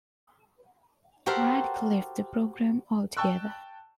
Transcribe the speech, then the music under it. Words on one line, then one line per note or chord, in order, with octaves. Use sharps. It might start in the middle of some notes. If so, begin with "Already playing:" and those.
Radke left the program altogether.
F#4 G4 A4 A#4 C5 E5
G5 A5 C#6 E6 F#6